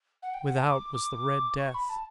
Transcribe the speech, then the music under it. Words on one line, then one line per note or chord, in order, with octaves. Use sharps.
Without was the "Red Death."
F#5
G5
F#5
A5
D6
C#6
B5
A5